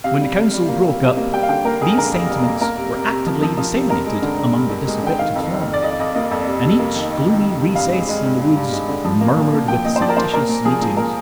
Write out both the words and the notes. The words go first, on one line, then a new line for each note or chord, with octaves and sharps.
When the council broke up, these sentiments were actively disseminated among the disaffected throng; and each gloomy recess in the woods murmured with seditious meetings.
C3 F5
G3
C3
G3
A#3
C3
C3
A#3
G3 G5
F5
D3 G5
A#3 A#4
F2 G#4
D3 A#4
F2
G3
A#3
A#3 A#4
C3
C3
C3
F3
F3
F3
C3
G2 A#4
G#3
D3
D3
G2
G2
G#3
D3 G5
D#3 F5
F2
D#3
F2
D5
F2 D#5
F2 D#5
A#3 D#5
F2
C3
C3
A#3
D#3
D#3
D#3
C3
C3
G2 F5
G#3
G#3
G2
G#3
G2
G#3
D3
F3
A#3
A#2
A#3
F3 G5
A#2 D#5
C5
F3 D5
A#4
A#3 C5
A#2 A#4
A#2
F3 G#4
F3
A#2 A#4